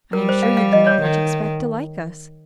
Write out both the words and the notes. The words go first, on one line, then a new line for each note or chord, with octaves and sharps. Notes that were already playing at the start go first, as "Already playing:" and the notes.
I am sure you did not much expect to like us.
G3 A#4
C5
F5
F5
D#5
C#5
D#3